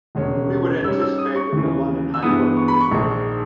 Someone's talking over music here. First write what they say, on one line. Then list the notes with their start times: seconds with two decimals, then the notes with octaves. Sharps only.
We would anticipate that the London high court will agree.
0.15 E1 D#2 C#3 G#3 C#4
0.83 G#2 G3 C#4 E6
1.01 E6
1.18 D#6
1.36 C#6
1.53 D#2 C#3 E3
2.14 E6
2.22 G2 E3 G#3 B3 D#6
2.57 C#6
2.68 B5
2.81 C#6
2.91 A#1 G#2 D#3 G#3